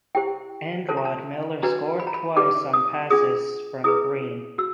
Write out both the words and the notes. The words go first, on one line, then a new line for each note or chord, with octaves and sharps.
End Rod Miller scored twice on passes from Green.
E4 G4 C5 G5
F4 A4 C5 A5
A#5
A5
D4 F#4 B4 A#5
B5
A#5
B5
D#4 G4 B4 D6
D#6
D4 F4 G#4 D#6
E4 G#4 B4 D#6
F#4 E6